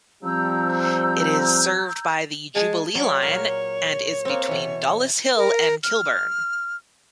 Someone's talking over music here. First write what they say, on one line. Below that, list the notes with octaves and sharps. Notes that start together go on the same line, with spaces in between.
It is served by the Jubilee line and is between Dollis Hill and Kilburn.
F3 G3 C4 A#5 E6 G6
G#3 G#4 G#5 A5
F#3 C#5 D5
A#2 A#4
A#3 C4
B2 E3
A#4
F6